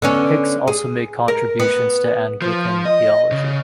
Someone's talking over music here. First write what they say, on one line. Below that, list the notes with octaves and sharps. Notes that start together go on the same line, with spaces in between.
Hickes also made contributions to Anglican theology.
D3 B3 C#4
G#4
A#4
B3
F3
D#5
C#3